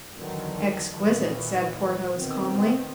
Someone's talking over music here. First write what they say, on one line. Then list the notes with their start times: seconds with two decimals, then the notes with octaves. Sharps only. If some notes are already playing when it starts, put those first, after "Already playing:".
"Exquisite," said Porthos, calmly.
0.16 E2 D3 D#3 F#3
0.87 A#2 D#3 E3
2.13 B2 D#3 C4